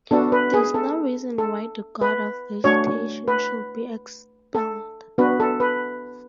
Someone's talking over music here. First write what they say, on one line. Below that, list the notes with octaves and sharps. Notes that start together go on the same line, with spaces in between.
There is no reason why the god of vegetation should be expelled.
B3 D4 F#4 A4
B4
G#4
A4
A4
B4
A3 D4 F#4 C#5
B4
A4
B3 D4 F#4 B4
A4
B4